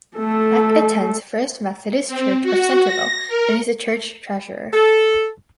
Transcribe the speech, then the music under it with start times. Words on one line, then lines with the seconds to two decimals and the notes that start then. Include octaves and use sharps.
Beck attends First Methodist Church of Centerville and is the church treasurer.
0.17 A3 A4
2.07 C4
2.43 F#4
2.84 A#6
3.28 A#4
4.73 A4